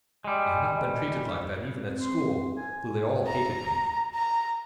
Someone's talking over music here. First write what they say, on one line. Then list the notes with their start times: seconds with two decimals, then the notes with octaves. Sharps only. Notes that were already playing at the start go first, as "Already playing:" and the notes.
I had not been treated like that even at school, though they all hated me.
0.24 G3 G#3
1.85 C4
2.01 C6
2.57 G#5
3.27 A#5
4.14 A#5